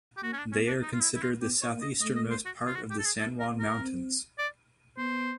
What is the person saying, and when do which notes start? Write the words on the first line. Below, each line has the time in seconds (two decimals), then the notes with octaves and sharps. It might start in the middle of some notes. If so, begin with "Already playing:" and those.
They are considered the southeasternmost part of the San Juan Mountains.
0.17 G4
0.23 A#3 F#4
0.33 C#4
0.38 D4
0.52 B3 C#4
0.68 D4
0.82 D#4
0.93 F4
1.02 E4
1.12 C4 E4
1.22 F4
1.42 B3 G4
1.62 C#5
1.72 A#3
1.82 D#5
2.01 A3 D#5
2.16 D#5
2.31 C5
2.45 F#4
2.67 F4
2.75 F#4
2.90 G4
2.99 A4
3.05 G#4
3.20 A#3 A4
3.40 A#4
3.50 B3
3.59 A#4
3.79 C4
4.38 D5
4.98 B3 C5